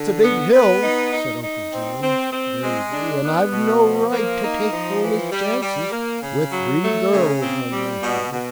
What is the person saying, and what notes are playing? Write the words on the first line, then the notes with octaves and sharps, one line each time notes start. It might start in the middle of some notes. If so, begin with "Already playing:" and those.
"It's a big hill," said Uncle John, gravely, "and I've no right to take foolish chances with three girls on my hands."
Already playing: D3
B3
B3
D#4
D#4
D#4
C4
C4
C4
G#3
D4
B3
B2
F3
A#3
D#4
F3
E3
G3
G3
A#3
C#3
F#3
A3
C#3
C4
G3
B2
B2